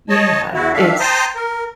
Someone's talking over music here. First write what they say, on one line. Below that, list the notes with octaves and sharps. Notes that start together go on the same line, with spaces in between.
Yeah, it's
C#5 D#5 A5
E2 E4 F#4
D#3 D4 E5 F5
C5 G5 A5 A#5 C6 D#6
A#4